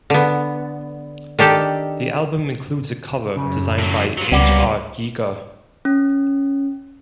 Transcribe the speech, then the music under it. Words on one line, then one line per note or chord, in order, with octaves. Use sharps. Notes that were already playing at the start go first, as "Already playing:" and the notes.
The album includes a cover designed by H. R. Giger.
D3 B3
D#3 D4 G4 A4
F#2 C#3
A2 F#3
G2 F#3 F4
C#2 G3 A#3 B3 C#4 D5
C#4